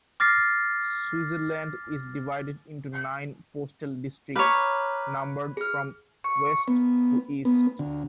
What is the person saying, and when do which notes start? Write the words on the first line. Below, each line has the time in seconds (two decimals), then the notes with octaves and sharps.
Switzerland is divided into nine postal districts, numbered from west to east.
0.20 D6 F6 A6 A#6 C7
4.36 B4 C#5 A#5 D6 F6
5.57 G#4 F6
6.24 C#6
6.68 B3
7.45 B3
7.79 D2